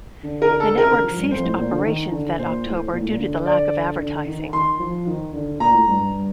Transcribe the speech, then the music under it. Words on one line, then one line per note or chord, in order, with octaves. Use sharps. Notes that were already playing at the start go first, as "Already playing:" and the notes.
The network ceased operations that October due to the lack of advertising.
D3
A#4
A4
C3 A#4
D3
F3
G2
F2 C5
A2
A#2
D3
D#3
D3
A#2 C5
A2
A#2
A2
A#2
D3
D5
D3
D#3
D#3 C6
F3
D#3
D3
A#2 A#5
A2
G2
G2